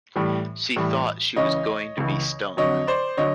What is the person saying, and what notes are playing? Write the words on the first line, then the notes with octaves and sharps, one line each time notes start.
She thought she was going to be stung.
A2 E3 G3
A2 E3 G3
C#2 C#3 E3 C#5 D#5
C#2 C#3 E3
F2 D3 F#3 C#5 D#5
C5 D5
D3 F#3 C#5 D#5